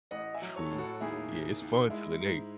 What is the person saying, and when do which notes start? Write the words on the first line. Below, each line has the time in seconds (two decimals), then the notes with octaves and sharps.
True. Yeah, it's fun till it ain't.
0.11 A1 D#5 F#5
0.34 E5 G#5
0.42 F#3
0.56 A4 C#5
0.71 A2
0.78 F#4 A4
1.01 D#2 E4 G#4
1.31 D#2
1.61 D#2
1.90 G#3 E4
2.20 G#2